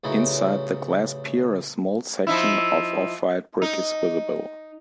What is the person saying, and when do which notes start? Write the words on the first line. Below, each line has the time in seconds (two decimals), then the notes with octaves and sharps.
Inside the glass pier a small section of off white brick is visible.
0.04 A1 C#3 F#3 D#4 E4
2.27 F3 D#4 E4
3.62 D#4